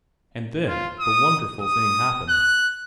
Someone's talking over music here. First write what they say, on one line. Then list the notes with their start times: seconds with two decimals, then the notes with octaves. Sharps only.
And then the wonderful thing happened.
0.68 F4
1.00 D#6
1.61 D#6
2.29 F#6